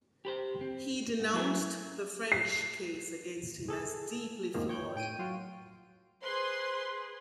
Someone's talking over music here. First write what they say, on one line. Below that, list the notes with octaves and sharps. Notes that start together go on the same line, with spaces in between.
He denounced the French case against him as deeply flawed.
G4 B4 C5
C4
G#2
F#3 E4 G#4 C5 E5
C7
G#4 A4
F2 G#2 C3 D#3 F3 A#3
C#5 G5 G6
A2 G5 D7 D#7
F#3 F4 F#4
G#4 B4 C5 C6